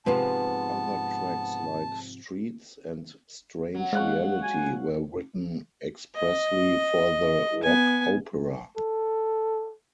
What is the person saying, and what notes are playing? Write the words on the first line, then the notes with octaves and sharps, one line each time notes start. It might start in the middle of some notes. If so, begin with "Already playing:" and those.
Other tracks like "Streets" and "Strange Reality" were written expressly for the rock opera.
G#2 C3 F3 G#3 B3 B4 A5
F#3
G#3 F5 F#5 C#6
G#5
D#5
B3 G#5
A4